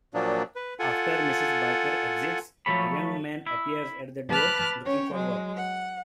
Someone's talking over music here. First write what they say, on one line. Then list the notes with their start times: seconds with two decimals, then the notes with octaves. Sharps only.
After Mrs. Barker exits, a Young Man appears at the door, looking for work.
0.14 A#2 F3 F#3 A#3 D4
0.56 B4
0.79 F4 A4 F#5 G#5
2.66 F3 F#3 A3 C#5 B5
3.47 E4
4.29 B4 A5 B5 D6 F6 F#6
4.85 C#4 C#5 G5
5.14 F#3 G#3
5.56 F#5